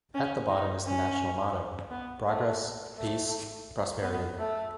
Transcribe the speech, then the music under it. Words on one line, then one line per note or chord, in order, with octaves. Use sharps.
At the bottom is the national motto: Progress - Peace - Prosperity.
C#4
D#4
C#4
B3
A3
A3
B3
A3